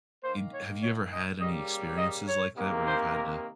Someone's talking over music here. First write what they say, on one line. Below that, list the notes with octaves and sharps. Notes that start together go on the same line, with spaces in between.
in have you ever had any experiences like that where you've had to
D#3 A#3 C5
C#5
C#5
D#5
C#3 G3 A#3 D#5
D#5
C#5
C3 D#3 A#3
C5
A#4